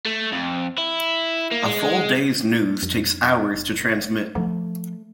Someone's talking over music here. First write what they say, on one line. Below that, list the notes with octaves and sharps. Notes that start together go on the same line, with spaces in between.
A full day's news takes hours to transmit.
A3
F2
E4
A#3
G#3
F2 D4
F#1
F3 A3